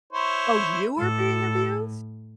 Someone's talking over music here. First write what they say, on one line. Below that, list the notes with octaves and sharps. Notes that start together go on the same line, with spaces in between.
Oh, you were being abused?
E4 C5 C#5
A2 A4